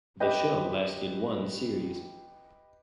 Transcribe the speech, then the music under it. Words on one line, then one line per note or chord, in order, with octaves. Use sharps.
The show lasted one series.
G4 B4 D#5 G5